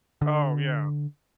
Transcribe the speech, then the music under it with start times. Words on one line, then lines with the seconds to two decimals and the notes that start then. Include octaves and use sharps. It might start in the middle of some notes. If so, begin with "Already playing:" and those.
Oh, yeah.
0.22 D3